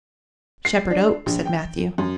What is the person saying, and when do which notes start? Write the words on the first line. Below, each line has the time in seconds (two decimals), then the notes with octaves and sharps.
"Shepherd Oak," said Matthew.
0.65 C7
0.91 D4
1.26 A#1
1.45 G5
1.98 F#2